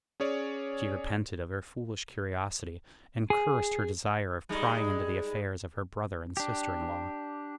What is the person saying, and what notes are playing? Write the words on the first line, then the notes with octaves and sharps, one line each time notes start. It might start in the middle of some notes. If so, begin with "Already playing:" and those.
She repented of her foolish curiosity, and cursed her desire of prying into the affairs of her brother and sister-in-law.
C#4 G#4 C#5 D5
G#4
G3 G#3 D#4
D4 G4